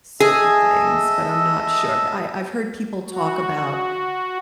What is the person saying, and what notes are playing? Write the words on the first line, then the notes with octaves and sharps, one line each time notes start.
certain things, but I'm not sure. But I I've heard people talk about
G#4 A4 D#5 E5
F#4